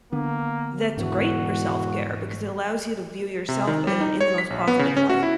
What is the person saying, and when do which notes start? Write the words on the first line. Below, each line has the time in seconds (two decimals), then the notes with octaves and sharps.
that's great for self-care because it allows you to view yourself, uh, in the most positive light.
0.13 D3 A#3 B3
0.97 E1 G#2 E3 F#4
3.49 C3
3.67 D#3
3.87 G3
4.01 D#4
4.21 C#5
4.38 B6
4.50 A#1
4.67 B3
4.79 C#3
4.97 C#4
5.10 F#4
5.23 E4